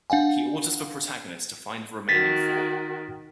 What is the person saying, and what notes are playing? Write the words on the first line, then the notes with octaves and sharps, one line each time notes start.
He orders the protagonist to find the remaining four.
D4 F5 F#5 G#5
D#3 F#4 A6 B6